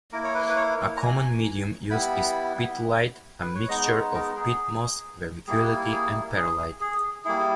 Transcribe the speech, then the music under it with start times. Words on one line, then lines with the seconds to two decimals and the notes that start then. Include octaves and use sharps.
A common medium used is 'peat-lite', a mixture of peat moss, vermiculite, and perlite.
0.12 A#3 E4 A#4
0.24 C#5
0.35 B4
0.49 B4
0.56 C#5
0.97 A#5
1.01 G#5
1.90 G3 B3 E4 B5
3.41 B4
3.55 C#5
3.68 G#3 B3 D#4 D#5
3.91 C#5
4.14 A#4
4.36 G#4
5.47 G3 A#3 E4 G#4
5.92 G#4
6.37 G#4
6.81 G#4
7.25 G3 A#3 E4 G#4